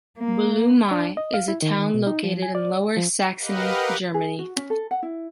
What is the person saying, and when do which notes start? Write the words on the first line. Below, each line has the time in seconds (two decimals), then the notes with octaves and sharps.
Buluomei is a town located in Lower Saxony, Germany.
0.19 A#3
0.91 D4
1.17 D#5
1.34 F5
1.48 E4
1.62 D#3
1.94 B2
2.07 D#4
2.24 F3
2.42 G#5
2.55 D5
2.97 F3
3.39 G4 A#4 B4 D#5 F5 F#5
4.14 G#4
4.39 F#4
4.56 C#4
4.70 A4
4.91 F#5
5.03 E4